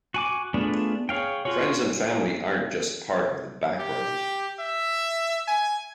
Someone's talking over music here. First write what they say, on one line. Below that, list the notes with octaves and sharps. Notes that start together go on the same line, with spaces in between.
Friends and family aren’t just part of the background.
F#4 G#5 D6
A3 B3 D4 F4 G#4
G#4 C#5 F5 G5
F4 F#4 G#4 C#5
G4
E5
G#5